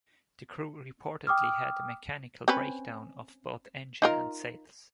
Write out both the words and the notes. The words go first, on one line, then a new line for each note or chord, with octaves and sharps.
The crew reportedly had a mechanical breakdown of both engine and sails.
G5 D6 D#6 F6
C4 C#4 B4
D#4 F4 A#4